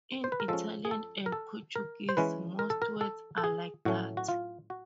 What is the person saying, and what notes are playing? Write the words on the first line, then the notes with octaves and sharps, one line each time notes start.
In Italian and Portuguese, most words are like that.
C5
B4
A#4
F3 G#3 C#4 A4
G#4
A4
A#4
A4
A#4
C5
E3 G#3 C#4 B4
A#4
A4
A#4
A4
A4
G#4
A2 F#3 A3 C#4 F#4
F#4
F4
F#4